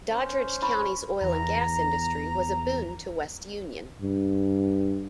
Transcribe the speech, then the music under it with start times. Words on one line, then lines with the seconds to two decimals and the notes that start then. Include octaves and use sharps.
Doddridge County's oil and gas industry was a boon to West Union.
0.10 C#4 C5
0.62 E4 B5 C#6
1.22 E2 A#5
4.02 G2